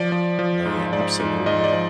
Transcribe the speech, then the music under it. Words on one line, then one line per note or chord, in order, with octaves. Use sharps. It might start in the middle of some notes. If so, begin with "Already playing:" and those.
No, yeah, absolutely.
Already playing: F3 D5
F3
F3
G#2
G#2 D5
G#2
G#2 D#5
D5
F3